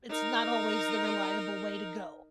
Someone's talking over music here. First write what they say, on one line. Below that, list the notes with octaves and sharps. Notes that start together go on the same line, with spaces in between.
it's not always the reliable way to go.
D#4 A#4